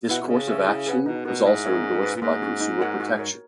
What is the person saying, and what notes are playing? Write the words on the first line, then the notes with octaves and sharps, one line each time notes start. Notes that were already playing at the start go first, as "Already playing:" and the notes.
This course of action was also endorsed by consumer protection.
B2 E4 B4 F#5
B2
C#3 C#4
F#4 C#5 E5
E4
G#4 B4 F#5
B2 D#4
B2 F#4 A#4
G#2 E4
A#4 C#5 E5
C#4
F#4 B4
A#2
G#2 A#3
C#4 F#4
D#4
A#4 C#5 F#5
F#4
A#4 C#5